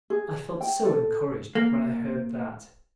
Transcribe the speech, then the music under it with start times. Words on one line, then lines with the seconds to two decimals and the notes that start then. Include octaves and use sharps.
I felt so encouraged when I heard that.
0.10 G#4
0.61 G5
0.85 A4
1.55 A#3